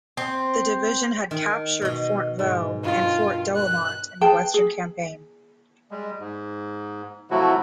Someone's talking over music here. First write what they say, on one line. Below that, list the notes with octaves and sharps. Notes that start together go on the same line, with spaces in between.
The division had captured Fort Vaux and Fort Douaumont in the Western Campaign.
C4
D#3
B2 D#5
G#2
G2 F4 D#5
F#6
G#4 B4 G5 A5
G#4
G3 G#3
G#2
C3 F3 F#3 A3 E4 F#4